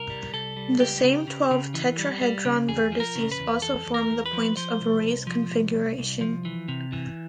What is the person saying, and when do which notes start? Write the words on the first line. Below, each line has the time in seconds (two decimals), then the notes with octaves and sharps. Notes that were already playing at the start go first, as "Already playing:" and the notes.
The same twelve tetrahedron vertices also form the points of Reye's configuration.
Already playing: C2 A#4
0.10 G3
0.33 C2 A4
0.56 G3
0.80 C#2 G4
1.04 C#3
1.27 C#3
1.51 C#3
1.74 E3
1.98 G3
2.21 G3
2.45 C#3
2.68 E2 G#4
2.92 F3
3.00 A#4
3.15 C#3
3.32 B4
3.39 E2
3.62 E2 A4
3.86 E2
3.94 A#4
4.10 E2
4.26 B4
4.33 F3
4.57 F3 C5
4.80 C2
5.04 C2
5.27 F3
5.51 C2
5.74 C2
5.98 C2
6.21 F3
6.45 E3
6.68 C3
6.92 E3